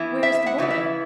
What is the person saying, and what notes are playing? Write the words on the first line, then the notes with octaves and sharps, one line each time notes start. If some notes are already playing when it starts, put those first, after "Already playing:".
"Where is the boy?"
Already playing: E3 B3 E4
E5
E5
F#5
C#3 E3 B3 E4
E5